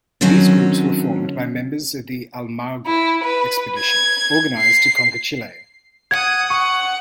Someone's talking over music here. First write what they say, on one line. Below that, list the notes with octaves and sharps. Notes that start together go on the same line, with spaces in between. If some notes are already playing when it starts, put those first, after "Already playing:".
These groups were formed by members of the Almagro expedition, organized to conquer Chile.
D3 D#3 F#3 C4 C#4
E4
B4
G#6
C7
F#5 D#6 G#6
F#5 C#6